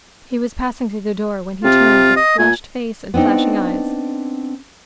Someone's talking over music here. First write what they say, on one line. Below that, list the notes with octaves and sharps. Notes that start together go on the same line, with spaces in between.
He was passing through the door, when he turned, with flushed face and flashing eyes.
C3 F4
D#5
A#2 G#5
B3 C4 D4 D#4